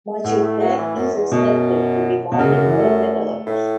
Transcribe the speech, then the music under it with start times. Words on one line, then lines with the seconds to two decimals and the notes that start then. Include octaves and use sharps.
Much of that is expected to be funded by developers.
0.24 A2 B3
0.37 B3
0.42 A3
0.60 F#3
0.78 E3
0.95 F#2
1.14 E2
1.32 F#2 B2
2.32 B2
2.38 F#2 C#3
2.52 C#3
2.66 E3
2.79 A3
3.46 A2